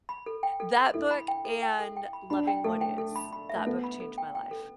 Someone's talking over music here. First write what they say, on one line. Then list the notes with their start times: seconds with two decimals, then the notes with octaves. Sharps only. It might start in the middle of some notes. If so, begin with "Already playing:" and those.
that book and Loving What Is that book changed my life.
0.09 B5
0.26 A4
0.43 G5
0.60 A4
0.77 A4
0.94 E4 A4
1.11 B5
1.28 G5
1.45 A4
1.63 G5
1.79 A4
1.96 G5
2.13 B5
2.30 D4 B5
2.47 G5
2.64 A3 A4
2.81 G5
2.98 A4
3.16 B5
3.33 B5
3.49 E5
3.55 A3
3.66 B3 A4
3.84 B5
4.00 A4
4.18 G5
4.35 G5
4.51 A4